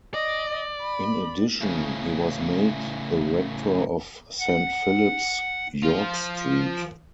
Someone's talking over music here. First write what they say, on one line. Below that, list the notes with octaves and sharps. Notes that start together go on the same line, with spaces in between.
In addition, he was made the rector of Saint Philip's, York Street.
D5 D#5
B5
A2 C#3
F#5
F3 F4